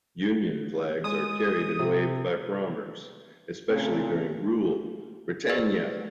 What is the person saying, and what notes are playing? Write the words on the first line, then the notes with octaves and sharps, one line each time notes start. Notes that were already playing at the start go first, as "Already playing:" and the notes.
Union Flags are carried and waved by the Prommers, especially during "Rule, Britannia!".
G#3 D#6
C3
A#2 C#3 A3 C4
G#4 B4 C5 D5